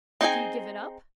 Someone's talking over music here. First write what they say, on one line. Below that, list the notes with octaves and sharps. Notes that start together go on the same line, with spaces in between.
"Do you give it up?"
C4 D#4 G#4 G5 G#5